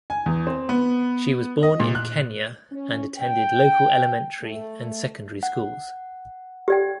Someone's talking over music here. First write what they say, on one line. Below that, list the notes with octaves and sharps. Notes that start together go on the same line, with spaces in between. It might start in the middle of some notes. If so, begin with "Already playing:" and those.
She was born in Kenya and attended local elementary and secondary schools.
G#5
E2
C4
B3
D#5
A#2
F#6
C#4
G5
A3
F#5
G4 D5 G5